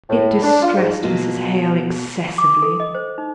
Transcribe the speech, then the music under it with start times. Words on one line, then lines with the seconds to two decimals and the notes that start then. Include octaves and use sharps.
It distressed Mrs. Hale excessively.
0.09 A2
0.42 D4
0.62 F4
0.76 G#2
1.03 B2 F#3 G#3 A#3 B3 F4
2.38 D6
2.62 A4
2.80 D#5
2.95 C5
3.18 D#4